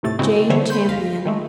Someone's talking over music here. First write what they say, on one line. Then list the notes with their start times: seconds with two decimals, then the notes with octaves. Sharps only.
Jane Champion.
0.03 D#2 A2 C3 A3 A6
0.19 G#2 C#3 G#3 C4 E4 F#4
0.49 D3 E3 G3 A3 C5 C#5
0.70 B5 C6 G6
0.89 G1 F5 A#6 B6
1.25 D#3 G#3 A3